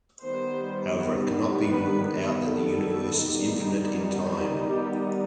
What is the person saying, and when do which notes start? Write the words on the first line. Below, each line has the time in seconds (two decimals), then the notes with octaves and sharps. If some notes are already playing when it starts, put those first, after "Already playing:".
However it can not be ruled out that the Universe is infinite in time.
0.22 D#3 G3 B3 C5
1.70 B4
2.44 A4
3.18 D#3 G3 B3 D#4
4.66 G4